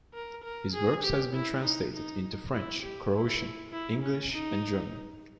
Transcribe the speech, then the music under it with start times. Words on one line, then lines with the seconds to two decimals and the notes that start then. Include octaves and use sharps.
His work has been translated into French, Croatian, English, and German.
0.14 A#4
0.44 A#4
0.73 G#4
1.03 G4
1.33 E4
1.63 D#4
1.93 D#4
2.53 E4
2.82 G4
3.13 E4
3.72 E4
4.02 C#4
4.32 D#4